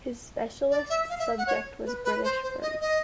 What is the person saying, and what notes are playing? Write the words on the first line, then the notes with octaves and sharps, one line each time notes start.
His specialist subject was 'British Birds'.
D5
E5
F5
E5
F#5
C#5
B4
B4
C5
C5
D#5
D#5